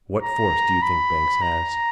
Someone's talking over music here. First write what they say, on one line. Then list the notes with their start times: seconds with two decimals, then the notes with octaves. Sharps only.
"What force do you think Banks has?"
0.23 A#5
0.82 B5
1.42 A#5